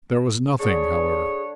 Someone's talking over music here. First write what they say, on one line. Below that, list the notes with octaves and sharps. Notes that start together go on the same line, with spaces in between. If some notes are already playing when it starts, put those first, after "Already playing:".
There was nothing, however.
D3 D4 G#4 C#5